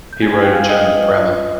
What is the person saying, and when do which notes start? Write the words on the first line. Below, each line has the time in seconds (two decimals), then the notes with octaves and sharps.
He wrote a German grammar.
0.13 G6
0.22 G4 D5 G#5 G#6
0.32 G#5 G#6
0.43 G5 G6
0.53 G4 D5 F5 F6
0.69 D#5 D#6
0.86 F4 B4 D5
1.17 F4 B4 D5